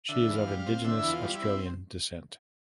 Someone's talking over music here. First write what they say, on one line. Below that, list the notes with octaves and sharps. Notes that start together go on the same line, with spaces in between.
She is of Indigenous Australian descent.
D3 E5
E2
F5
G3
F5
C4
D3 E5
E2 E4
F4
G3
E4
C4